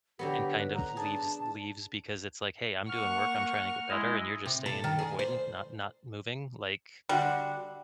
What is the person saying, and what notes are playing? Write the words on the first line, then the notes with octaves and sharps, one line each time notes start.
and, kind of leaves leaves because, it's like, "Hey, I'm doing work, I'm trying to get better, and you're just staying avoidant not not moving, like"
D3 F#3 B3 G4
B4
A#5
D4 G#4 A5
A#3 F#5 C#6 F6
G#3 E4 D#5
C3
A4
D#3
G#4
C5
D3 G3 F#4 F#5